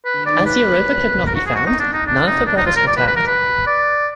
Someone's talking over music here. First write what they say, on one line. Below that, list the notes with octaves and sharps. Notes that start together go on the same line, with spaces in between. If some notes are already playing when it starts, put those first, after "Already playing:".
As Europa could not be found, none of the brothers returned.
B4
D5
B4
A#4
F#4
G#4
F#4
D#4
D4
D#4
D4
D#4
D4
D#4
F4
A#4
D5
B4
B4
A#4
B4
D5